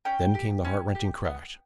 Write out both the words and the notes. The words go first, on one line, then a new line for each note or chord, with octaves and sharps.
Then came the heart-rending crash.
C#4 G5
G4
C#4
G4
B3